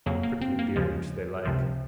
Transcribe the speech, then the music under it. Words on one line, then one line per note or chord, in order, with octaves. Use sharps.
Prickly beards they like.
F2 C#3 F#3 A#3
A#3
C4
A#3
D#2 C#3 F3 G#3
C#2 C3 F3